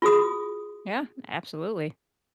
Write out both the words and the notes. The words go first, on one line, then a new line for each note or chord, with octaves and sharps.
Yeah, absolutely.
F4 F#4 G#4 D#6